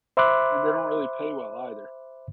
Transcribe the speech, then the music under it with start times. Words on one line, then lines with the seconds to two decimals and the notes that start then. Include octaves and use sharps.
And they don't really pay well either.
0.17 C5 E5 B5 C6 D6 F#6